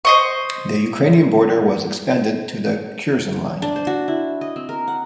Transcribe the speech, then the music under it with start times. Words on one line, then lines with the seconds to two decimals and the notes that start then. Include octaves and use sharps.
The Ukrainian border was expanded to the Curzon Line.
0.05 C5 D#5 C#6
3.62 D4
3.76 C5
3.87 F#4
4.08 E4
4.41 D#5
4.56 C4
4.69 A#4
4.88 F#5